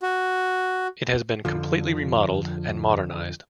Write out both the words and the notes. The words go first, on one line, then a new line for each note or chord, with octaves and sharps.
It has been completely remodeled and modernized.
F#4
F2 D3 F3